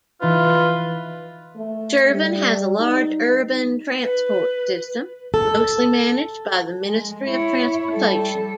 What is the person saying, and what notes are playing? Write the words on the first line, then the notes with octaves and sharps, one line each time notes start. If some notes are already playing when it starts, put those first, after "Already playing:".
Shirvan has a large urban transport system, mostly managed by the Ministry of Transportation.
E3 D#4 F4 B4
A3
G3
D#4
B4
A4
G#3
E4 C#5
G3 A4